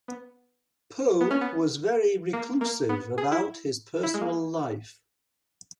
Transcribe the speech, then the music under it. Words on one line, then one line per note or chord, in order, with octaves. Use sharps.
Poe was very reclusive about his personal life.
B3
B3
C#4
B3
A#3
A#3
B3
G#4
E4
E4
G#3
A#3